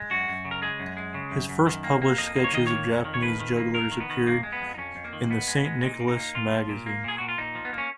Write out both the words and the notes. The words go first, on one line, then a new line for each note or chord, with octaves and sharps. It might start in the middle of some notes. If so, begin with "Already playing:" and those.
His first published sketches of Japanese jugglers appeared in the "Saint Nicholas Magazine".
Already playing: G#3
F#2 F#4
F#2
C#3
A#4
G#3 G#4
F#2
G#3
C#3
F#2
F#2
D#3
A#3
A#3
F2 D#5
A#3
C#5
D#3 D#5
A#3 C#5
F2
D#3
C#5
F2 B4
D#3
A#3
F2 A#4
D#3
B3
D#3
F2 A#3
G#3
B3
F2
D#4
F2 C#4
F2
A#3
D#3
F2 B3
G#3
G#3
A#2 D#4
A#2
D#4
A#3
A#2 F4
F3
A#2
A#3
A#2 G#4
A#2 F#4
F4
A#2 D#4
F3
B3
A#3 C#4